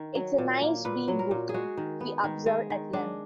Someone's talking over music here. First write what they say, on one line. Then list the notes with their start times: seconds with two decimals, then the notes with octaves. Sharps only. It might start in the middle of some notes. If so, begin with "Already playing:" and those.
"It's a nice wee book," he observed at length.
Already playing: D#3
0.15 F#3
0.38 A#2
0.62 A#3
0.85 A#2 B4
1.08 F#3
1.19 A#4
1.31 A#2
1.49 G#4
1.54 G#3 F#4
1.77 D#3
2.01 B3
2.24 D#3
2.46 G#3
2.70 D#3
2.93 G#3 D4